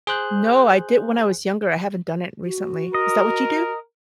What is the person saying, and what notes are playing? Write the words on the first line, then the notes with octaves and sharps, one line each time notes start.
No, I did when I was younger, I haven't done it recently. Is that what you do?
G#4 C5 F#6 G6
F#4
A#4 D#5